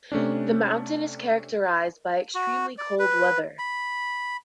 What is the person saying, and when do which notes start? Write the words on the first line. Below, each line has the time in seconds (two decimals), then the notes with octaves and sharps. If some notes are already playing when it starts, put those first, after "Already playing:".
The mountain is characterized by extremely cold weather.
0.12 C3 A3 C#4 D4
2.35 F#4
2.78 D5
2.99 B4
3.59 B5